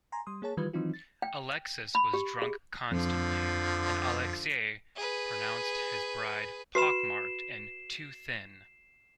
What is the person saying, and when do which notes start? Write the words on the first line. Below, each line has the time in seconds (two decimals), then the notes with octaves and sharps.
Alexis was drunk constantly and Alexei pronounced his bride "pock-marked" and "too thin".
0.12 G#5 A#5 C6
0.27 G3 C6 D#6
0.42 A#3 G#4 C#5 A5
0.57 D#3 E3 G3 F4 B4 G#6
0.73 D#3 E3 F#3 C4 D#4 F4
0.94 A6
1.22 G5
1.95 B5
2.13 G4
2.42 G#4
2.91 F2 D3 F3
4.96 G#4 B4
6.75 F#4 B4 B5 C7 E7